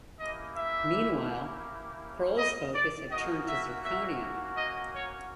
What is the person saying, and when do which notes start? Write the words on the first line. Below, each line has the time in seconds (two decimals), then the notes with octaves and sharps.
Meanwhile, Kroll's focus had turned to zirconium.
0.19 A#3 C#4 E4 G4 D#5
0.57 E5
2.38 D#5
2.74 D5
3.11 A#3 C#4 F#4 D#5
3.48 E5
3.84 E5
4.57 D#5
4.94 C#5